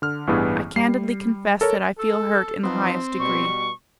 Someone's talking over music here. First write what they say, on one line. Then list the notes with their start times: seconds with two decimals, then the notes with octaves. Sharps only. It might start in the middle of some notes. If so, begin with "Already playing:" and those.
I candidly confess that I feel hurt in the highest degree.
0.02 D3 F6
0.27 A1 G2 E3 B3 G#4
0.76 G3 C7
1.61 A4 A#4 C#5
1.98 A4
2.63 F3 B3 C4 D#4
3.19 B2 G3 C#6